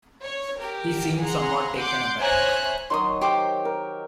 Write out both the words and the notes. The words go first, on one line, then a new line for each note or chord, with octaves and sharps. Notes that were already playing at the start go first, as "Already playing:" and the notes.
He seemed somewhat taken aback.
C#5
G4 A#4
G#4 F#5 A#5 C6
F#5 C6 D6 G6
C5 C#5 E5 G#5 A#5 F#6
D#3 F#3 C#5 C6 C#6 D#6
G4 C5 D6
A#4